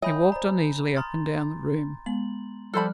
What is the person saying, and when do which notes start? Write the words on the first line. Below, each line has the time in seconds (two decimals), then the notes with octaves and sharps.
He walked uneasily up and down the room.
0.02 C#5 D#5 E5 G5 G#5 B5 G6
0.32 C5 D5 A#5
0.96 A#5 C6 D#6 F6 A6
2.06 G#3 B3 F#7
2.74 F3 G3 A4 C5 B5 F6 F#6